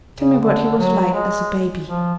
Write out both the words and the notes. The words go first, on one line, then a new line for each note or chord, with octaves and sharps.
Tell me what he was like as a baby.'
C#3
D3
F#3
G#3
F3